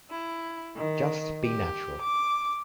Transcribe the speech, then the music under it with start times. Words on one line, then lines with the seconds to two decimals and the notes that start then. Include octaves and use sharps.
Just be natural.
0.10 E4
0.76 D#3
1.43 G4
2.01 D6